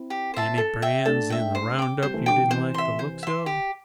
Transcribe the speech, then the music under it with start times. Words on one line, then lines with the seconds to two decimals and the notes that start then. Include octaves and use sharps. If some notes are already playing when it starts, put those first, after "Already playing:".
"Any brands in the round-up you didn't like the looks of?"
Already playing: C4 E4
0.10 G4
0.34 C5 E5 A5
0.58 A4
0.82 E5 G5
1.05 A3 D4 A4
1.30 E5 G5
1.55 C5
1.79 G5 D6
2.02 G3 C4 C5
2.14 E3 A3
2.26 D3 G3 G5 D6
2.38 C3 E3
2.51 C3 E3 C5
2.74 E5 C6
2.99 C5
3.23 E5 C6
3.46 G4